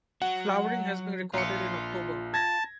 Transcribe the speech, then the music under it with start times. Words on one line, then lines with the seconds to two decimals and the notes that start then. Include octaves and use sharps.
Flowering has been recorded in October.
0.22 F#3 F#5
1.34 A#1 F4 C#7
2.34 A5 G#6 A#6